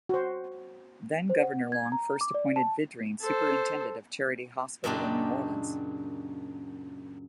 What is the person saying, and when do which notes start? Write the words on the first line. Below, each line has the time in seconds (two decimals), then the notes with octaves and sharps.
Then Governor Long first appointed Vidrine superintendent of Charity Hospital in New Orleans.
0.09 F#4 C5
1.30 C5
1.43 F#5
1.72 G#6
1.92 A#5
2.21 D6
2.34 D5
2.56 A5
3.21 A4 C5
4.84 F#2 A#2 C#3 D4 D#4 G4